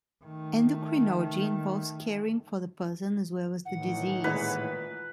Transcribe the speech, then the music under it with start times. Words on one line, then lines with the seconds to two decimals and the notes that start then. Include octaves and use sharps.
Endocrinology involves caring for the person as well as the disease.
0.24 D#3 A3
3.65 A2 D#3 E3 F#5
4.24 A#2 G#3 B4